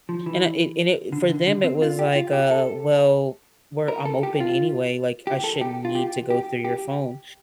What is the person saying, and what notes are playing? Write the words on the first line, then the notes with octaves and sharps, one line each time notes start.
and I and it and it for them, it was like, uh, "Well, we're I'm open anyway, like, I shouldn't need to go through your phone,"
F3
E3
D3
D3
D3
C4
F4
G4
F4
G4
A4
A#4
A4
G4
F4
G4
A4
G4
F4
G4
G4
G4